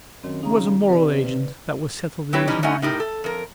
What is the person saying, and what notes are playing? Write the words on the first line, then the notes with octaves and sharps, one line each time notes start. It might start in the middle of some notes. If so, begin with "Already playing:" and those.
He was a moral agent--that was settled in his mind.
F#2 D#3 C4
C#3 D#4 A#5
C3 B4 D5
C#3 B4
F#3 C4 E4 G4 B4 C#5
E3 G3 C#4 D#4
F#3 A3 C#4 D#4 F#5 G#5
A2 D#4 G4 A#4
A4
F2 A#4